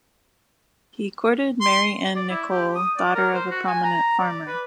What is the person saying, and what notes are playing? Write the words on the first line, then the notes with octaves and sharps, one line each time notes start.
He courted Mary Ann Nicol, daughter of a prominent farmer.
C6
D5
E4
G4
D#6
D5
A#4
C5
F#4
G#5
A#5
D5
B4